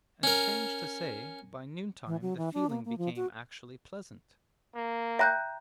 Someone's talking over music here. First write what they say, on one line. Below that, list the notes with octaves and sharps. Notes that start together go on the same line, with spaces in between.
And strange to say, by noontime the feeling became actually pleasant.
C#4 A#4
E3
F#3
E3
D4
A#3
A#3
F3
F#4
A#3
E5 G5 A#5 F#6 G6